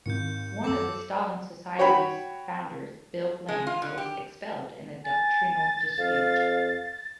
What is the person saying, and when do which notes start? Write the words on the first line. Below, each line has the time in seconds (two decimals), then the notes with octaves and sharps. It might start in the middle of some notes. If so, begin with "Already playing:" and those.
One of the Stalin Society's founders, Bill Bland, was expelled in a doctrinal dispute.
0.06 D#2 G#2 D#3 C4 G6 C#7
0.64 F#2 F#3 A4 D6 E6
1.78 F#4 C#5 G5 B5
3.49 G#3
3.67 F4
3.82 D3
3.98 G4
5.04 G#5 A6
5.98 F2 F5